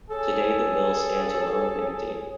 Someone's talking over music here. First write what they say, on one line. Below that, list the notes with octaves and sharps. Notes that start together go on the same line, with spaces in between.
Today the mill stands alone and empty.
G#4 A4 C#5